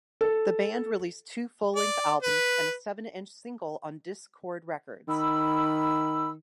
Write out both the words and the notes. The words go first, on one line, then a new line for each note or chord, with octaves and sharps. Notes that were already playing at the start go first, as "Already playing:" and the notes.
The band released two full length albums and a seven-inch single on Dischord Records.
A4
D5
B4
D#3 B5 E6